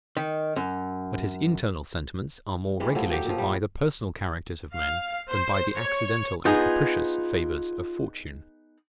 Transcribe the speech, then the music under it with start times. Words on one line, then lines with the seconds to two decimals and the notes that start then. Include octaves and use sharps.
But his internal sentiments are more regulated by the personal characters of men, than by the accidental and capricious favours of fortune.
0.17 D#3
0.56 F#2
2.80 E3 G3 G#3
2.95 A2 F3 F#3
3.11 F#3 G4
3.25 A#2 F3
3.38 G3
4.74 F5
5.30 C5
5.76 C#5
6.45 B3 D#4 F4 G#4 G6